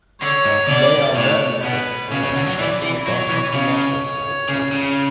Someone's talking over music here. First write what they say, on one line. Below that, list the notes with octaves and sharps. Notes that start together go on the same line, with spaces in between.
They are very critical and careful about mythological sources.
D3 C#5
G#2
B2 D5
A2 C#5
B2 B4
C#3 C#5
C#3
D3
F#3
E3 D5
E3
F#3 C#5
E3
C#3 C#5
C#3
C#3